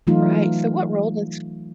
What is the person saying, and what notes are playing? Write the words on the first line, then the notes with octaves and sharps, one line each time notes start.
Right. So what role does
E3 F#3 A3 D#4 F4